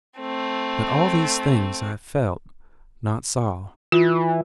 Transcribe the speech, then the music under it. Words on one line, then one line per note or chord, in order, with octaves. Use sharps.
But all these things I felt--not saw.
A3 C4
E3 F4